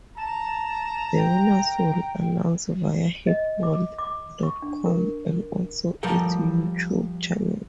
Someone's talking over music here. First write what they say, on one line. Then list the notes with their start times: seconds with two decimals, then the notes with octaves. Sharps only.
The winners will announced via Heatworld dot com and also its YouTube Channel.
0.17 A5 A#5
1.17 G5
3.27 D#5
3.63 D6
3.98 D6
4.43 C#6
4.62 D4
4.86 A#4
6.03 F3 G3 A4 A#4 G5